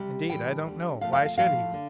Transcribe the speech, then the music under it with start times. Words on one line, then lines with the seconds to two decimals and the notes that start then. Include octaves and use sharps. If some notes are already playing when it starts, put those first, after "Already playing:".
"Indeed I don't know.--Why should he?"
Already playing: C3 G3
0.29 A2 E3 G3 G5
0.65 D3 G3
1.01 C3 F3 A3 F5
1.13 F5
1.25 F5
1.38 A2 F3 A3 F5
1.74 D3